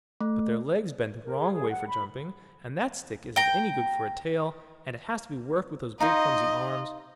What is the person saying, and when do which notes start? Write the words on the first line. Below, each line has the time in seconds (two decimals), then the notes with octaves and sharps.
But their legs bend the wrong way for jumping, and that stick isn't any good for a tail, and it has to be worked with those big, clumsy arms.
0.21 A3
1.23 A#4
1.38 G#4
1.53 G#4
1.69 F#5
1.88 B5
3.36 G5 A#5
6.00 D#4 F4 C5 D#5